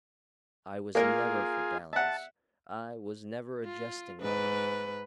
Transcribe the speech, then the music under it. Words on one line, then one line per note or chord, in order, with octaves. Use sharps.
I was never for dalliance, I was never a jesting lover.
A#3 F4 G#4 A#4
E5 F#5 A5
F4
G#2 B4